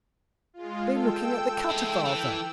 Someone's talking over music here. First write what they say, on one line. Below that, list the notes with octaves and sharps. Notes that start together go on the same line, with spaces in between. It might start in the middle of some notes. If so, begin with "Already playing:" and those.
"Been looking at the cutter, father?"
G#3 F4
A4 G5 E6
G#3 E4
E3